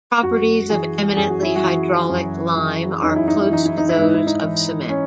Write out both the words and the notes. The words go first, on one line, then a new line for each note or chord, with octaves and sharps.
Properties of eminently hydraulic lime are close to those of cement.
F#2 F#4
E3 G#4
F#2 G#4
F#4
E4
F#4
E3
F#2
E3
F#2 D#4
E4
D#4
E4
E3 D#4
E4
D#4
E4
G#2
D#4
E4
D#4
E3
C#4